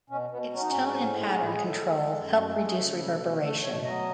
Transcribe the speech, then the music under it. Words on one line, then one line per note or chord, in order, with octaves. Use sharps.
Its tone and pattern control helped reduce reverberation.
B2 C#4
B2 B3
F#3 C#4
D#4
G#2 C#4
A2
G#3
D#4
A2 C#4
E4
A2 G#4
A4
G#3
G#3
F#2
G#3
A3 A4
G#4
C#3 A4
B2
A3
A3 A4
B2 C#5
F#3 D#5